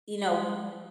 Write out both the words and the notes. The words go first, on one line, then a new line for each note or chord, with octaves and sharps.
You know, w
G3
G#3